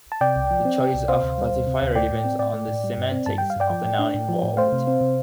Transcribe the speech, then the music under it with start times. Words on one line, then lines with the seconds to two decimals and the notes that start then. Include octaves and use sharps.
The choice of classifier depends on the semantics of the noun involved.
0.12 A5
0.21 C3 D5 G5
0.36 C2
0.51 F3
0.65 C4
0.79 C3
0.95 C2
1.08 C3 C5 F5
1.23 D2
1.38 G3
1.52 D2
1.67 C3
1.82 D2
1.95 A3 D5 G5
2.10 A2
2.25 C4
2.39 A2 D5 G5
2.54 A3
2.68 A2
2.84 G3
2.98 G2
3.12 C4
3.26 G2 A5
3.38 G3 G5
3.50 F5
3.56 G2 D5 G5
3.70 F3
3.85 A2
3.99 D4
4.14 A2
4.29 F3
4.43 A2
4.57 A3 C5 F5
4.72 C3
4.87 C4
5.01 C3